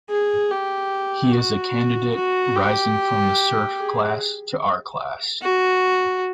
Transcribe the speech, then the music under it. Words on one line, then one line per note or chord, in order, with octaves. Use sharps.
He is a candidate, rising from the serf class to our class.
G#4
G4
F#4
F#4
G4
G#4
F#4